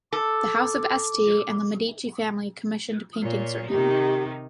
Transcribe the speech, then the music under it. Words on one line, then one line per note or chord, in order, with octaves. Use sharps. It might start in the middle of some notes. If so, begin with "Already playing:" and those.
The House of Este and the Medici family commissioned paintings from him.
A4 D6
A#2 F4 C#5
C3 D#3 D#4 G4